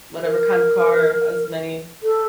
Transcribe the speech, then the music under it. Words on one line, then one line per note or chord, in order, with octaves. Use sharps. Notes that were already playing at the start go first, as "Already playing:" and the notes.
whatever kind of car, as many
A#4
A4